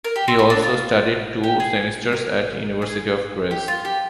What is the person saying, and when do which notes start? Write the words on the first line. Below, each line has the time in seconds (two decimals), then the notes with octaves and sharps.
He also studied two semesters at the University of Graz.
0.04 A#4
0.16 G4
0.28 C4
0.39 C4
0.50 D4
0.62 F4
1.44 G4
1.60 G#4
2.13 A#4
2.82 G#4
3.51 G4
3.68 F4
3.85 G4